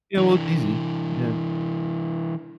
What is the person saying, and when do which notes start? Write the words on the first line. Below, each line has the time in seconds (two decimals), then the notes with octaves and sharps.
Yeah, well, it's easy. Yeah.
0.18 E3 D4